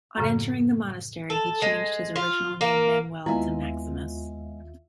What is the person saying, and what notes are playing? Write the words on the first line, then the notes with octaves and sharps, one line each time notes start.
On entering the monastery he changed his original name Manuel to Maximus.
F#2 A2 C#3 F3
A4
G#3
F4
A#3
D#2 G#3 B3 E4 F4 E5 G#5